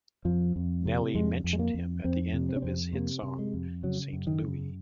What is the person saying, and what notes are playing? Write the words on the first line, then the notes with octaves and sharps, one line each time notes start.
Nelly mentioned him at the end of his hit song "Saint Louie".
F2 F3
F2
C3
F2 G#3
F2
G#3
A#3
F2
F2 C4
C3
C4
C#4
F2 C4
C3 A#3
C3
G#3
F2
C#3 F#3
F#2
D#3
C#3